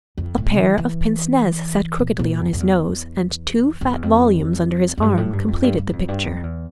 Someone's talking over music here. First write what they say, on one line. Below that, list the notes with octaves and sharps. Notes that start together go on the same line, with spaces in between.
A pair of pince-nez sat crookedly on his nose and two fat volumes under his arm completed the picture.
F2
A2
E3
E3
A#2
A#2
F2
F2
E2
F2
E2
F2
F2
G2
A2
G2
F2
G2
G2
G2
F2
G2
F2
E2